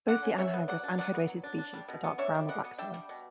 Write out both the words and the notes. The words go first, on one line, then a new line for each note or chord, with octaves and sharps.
Both the anhydrous and hydrated species are dark brown or black solids.
D3 D5 F#5
C#4
F#3 C#5 E5
B3
F#3 D5 F#5
D4
F#3 D5 F#5
B3
F#3
D4
D4
G3
B2
B3
D4 C#5 E5
G3
B2 D5 F#5
B3
D4 E5 G5
G3
B2